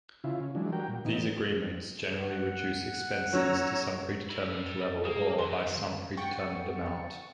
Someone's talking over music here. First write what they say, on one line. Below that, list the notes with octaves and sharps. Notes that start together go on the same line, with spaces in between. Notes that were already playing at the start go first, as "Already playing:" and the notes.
These agreements generally reduce expenses to some pre-determined level or by some pre-determined amount.
C#3 E4 F4
C#4
E3 F#3 G#3 D4
G3 F#4 A#4 G5
A#2
A#2 E3 B3 D#4
F#5
F#3 C#4 C#5 A#5 E6
A4 B5
A#3 G#4
D#3 F#3 B4 C6
F#5 G5 C#6 A6 C#7